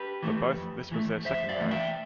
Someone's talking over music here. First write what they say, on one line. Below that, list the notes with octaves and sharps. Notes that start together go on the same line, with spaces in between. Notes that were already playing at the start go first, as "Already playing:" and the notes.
For both, this was their second marriage.
Already playing: G4 B4
E3 A3
F2
E3 A3
F2 C5 E5
D5 F5
E3 A3
E5 G5